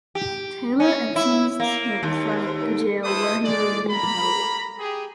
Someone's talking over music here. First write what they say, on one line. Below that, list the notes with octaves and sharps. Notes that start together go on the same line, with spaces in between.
Taylor and seized him from the jail where he was being held.
G4
C#4
E4
A#3
D#2
E4 A4 B4 C5 D#6
G#3 D5
A#3 A#5 B5
G4 G#4